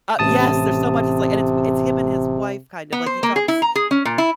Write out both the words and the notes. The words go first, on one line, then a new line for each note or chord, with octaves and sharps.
uh, yes there's so much it's like, and it's w it's him and his wife kind of like, he talks,
A1 C3 A5 D#6
B3
C5
A#3
G#4
E4
A#5
G#4
C#4
A#2
E4